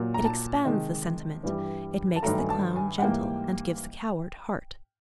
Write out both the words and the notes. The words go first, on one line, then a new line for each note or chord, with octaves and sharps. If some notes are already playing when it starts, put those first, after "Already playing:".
It expands the sentiment; it makes the clown gentle and gives the coward heart.
Already playing: A#2 F#3 A#3
A#5
A5
C3 D#3 G#3
G2 E3 G3
A5
G2 D#3 F#3 A3 A#5
G#5
A5
G#5
F#5
G#2 E3 G3 A#3 G5